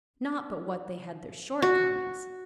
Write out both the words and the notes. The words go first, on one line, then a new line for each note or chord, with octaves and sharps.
Not but what they had their shortcomings.
F#4